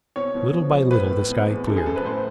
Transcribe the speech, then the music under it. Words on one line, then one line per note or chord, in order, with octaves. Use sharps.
Little by little the sky cleared.
B2 C#5
B2
F3
F3
A2 B4
A2
B2
E2
F#2 A4
G#4
F#2 A4
B4
A2 C5